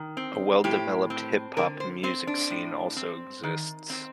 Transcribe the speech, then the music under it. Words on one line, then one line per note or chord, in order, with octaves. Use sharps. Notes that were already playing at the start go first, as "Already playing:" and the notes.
A well-developed hip hop music scene also exists.
Already playing: D#3
C4
A2 G4
C4
D3 A#4
C5
C4 C5
D4
A2
C4
D#3
C4